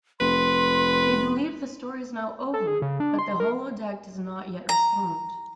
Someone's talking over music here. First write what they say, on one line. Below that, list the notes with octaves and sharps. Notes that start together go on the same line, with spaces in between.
They believe the story is now over, but the holodeck does not yet respond.
F1 B4 C6
A4
G#4
C#3
D4
C6
A#4
A#5